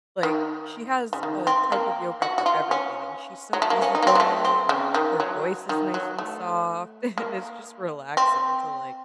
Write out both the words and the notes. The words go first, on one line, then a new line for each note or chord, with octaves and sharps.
like, she has a type of yoga for everything, and she's so easygoing, and, like, her voice is nice and soft, and it's just relaxing to like
D#3
C#3
D#3
C4
A#3
F#4
F#4
F4
C#4
F#3
A3
A#3
C#4
D#4
A#3
C4
F#3
A3
C4
C#3
D#3
F#3
D#3
F#3
A3
A#3
C4